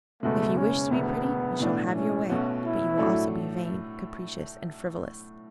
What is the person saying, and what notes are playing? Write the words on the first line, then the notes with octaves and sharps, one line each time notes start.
If you wish to be pretty you shall have your way, but you will also be vain, capricious, and frivolous.
F#1 E2 B2 G#3 A3
C#4
E1 D2 D3 B3
B1 A2 E3 A3 D4
C#4
B1 B2 A3 C#4 F#4
E4
A2 F#3 A3 D4 A4